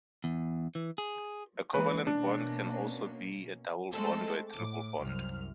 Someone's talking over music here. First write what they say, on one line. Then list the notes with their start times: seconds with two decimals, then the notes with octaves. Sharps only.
A covalent bond can also be a double bond or a triple bond.
0.24 E2
0.75 E3
0.98 G#4
1.74 E3 G#3 A#3 B4
2.07 B2 A#3 C#4 D4
3.92 G#3 A3 C4 A4
4.52 A2 D6
5.00 C2 F#2 F6